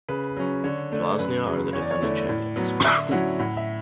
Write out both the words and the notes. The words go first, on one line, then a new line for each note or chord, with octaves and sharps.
Vllaznia are the defending champions.
C#3 B4
F#3 C#4
D3 C#5
A3 D4
F#2 B4
C#3 F#3
E2 C#5
D5
C#5
D3 A3 E4 D5
A2
F#3 B3
D3 E5
F#3 C#4 E4 F#5
A2 F#5
E5